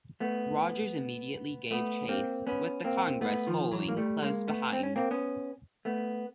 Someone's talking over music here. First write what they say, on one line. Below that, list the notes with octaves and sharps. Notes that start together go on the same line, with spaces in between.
Rodgers immediately gave chase, with the "Congress" following close behind.
A3 B3
A3 B3
A#3 C4
B3 C#4
A#3 C4
A3 B3
D#3 F3
E3 F#3
A#3
G3 A3
G#3 A#3
A3 B3
C4
C#4
A#3 C4
B3 C#4
A3 B3